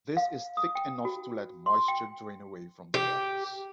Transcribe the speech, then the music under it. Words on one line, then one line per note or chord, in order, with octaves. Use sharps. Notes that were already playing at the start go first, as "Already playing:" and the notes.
This is thick enough to let moisture drain away from the eggs.
F5
D#6
G5
F#4
C6
G5
G4